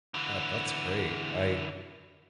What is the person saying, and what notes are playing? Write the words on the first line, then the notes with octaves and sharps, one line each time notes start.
Oh, that's great. I
D3 E3